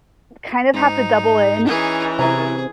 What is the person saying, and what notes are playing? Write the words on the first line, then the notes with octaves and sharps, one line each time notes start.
kind of have to double in
G#2 D#4
E3 C#4 D#4 G#4
C3 E4 G#4 B4 A#5